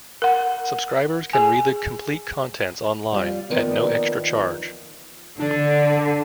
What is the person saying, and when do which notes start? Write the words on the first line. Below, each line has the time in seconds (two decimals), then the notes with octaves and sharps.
Subscribers can read the complete contents online at no extra charge.
0.22 A#4 F#5
1.33 G#4 G#5
3.12 G3 F4
3.50 D#3 F3 A#3 B3 A#4 D5
5.39 D3 D4